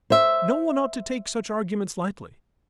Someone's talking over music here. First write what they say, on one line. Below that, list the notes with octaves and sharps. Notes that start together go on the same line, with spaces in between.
No one ought to take such arguments lightly.
C5 E5